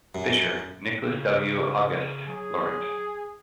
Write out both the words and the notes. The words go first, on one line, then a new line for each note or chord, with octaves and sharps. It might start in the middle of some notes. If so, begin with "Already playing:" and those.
Fisher, Nicholas W. Auguste Laurent.
F#2
C#3
F#3 G#4